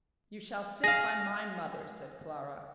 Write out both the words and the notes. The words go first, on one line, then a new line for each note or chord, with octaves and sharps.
"You shall sit by my mother," said Clara.
G#4 F5 A#6